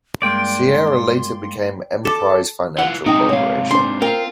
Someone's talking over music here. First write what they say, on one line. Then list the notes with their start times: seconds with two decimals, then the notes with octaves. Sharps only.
Sierra later became Emprise Financial Corporation.
0.22 G2 G#3 A#3 D5 G5 C6
2.05 A4 D6
2.78 E3 F4 F#5
3.06 G#2 C3 D#4 G5
3.29 C#5 F5
3.71 D4 C5 C6
4.02 C4 F4 A#4